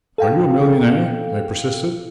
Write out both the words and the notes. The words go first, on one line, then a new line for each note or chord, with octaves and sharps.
"Are you a millionaire?" I persisted.
A4 F5 G5